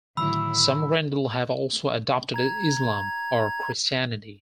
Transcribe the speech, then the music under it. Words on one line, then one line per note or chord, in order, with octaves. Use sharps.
Some Rendille have also adopted Islam or Christianity.
A2 D3 D#3 F#3 E4 B5 E6
A#5 G#6